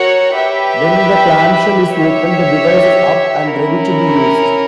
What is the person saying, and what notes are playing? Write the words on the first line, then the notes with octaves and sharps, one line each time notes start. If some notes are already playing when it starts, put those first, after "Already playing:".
When the clamshell is open, the device is up and ready to be used.
Already playing: F#4 A#4 C#5 F#5
G4 B4 E5 G5
G4 C#5 E5
C#4 E4 A#4